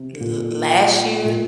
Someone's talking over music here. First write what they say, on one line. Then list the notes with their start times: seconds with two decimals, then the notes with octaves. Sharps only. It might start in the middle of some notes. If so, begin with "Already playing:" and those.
l last year
Already playing: C3
0.20 A#2
1.25 A#2